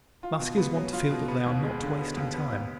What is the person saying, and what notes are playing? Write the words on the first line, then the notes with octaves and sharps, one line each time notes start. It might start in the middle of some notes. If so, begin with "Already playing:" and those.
Musculars want to feel that they are not wasting time.
F4
B2
B3
F#3
F4
B2
B3
D#2
G#3
D3
B3
D#2
B3
D#2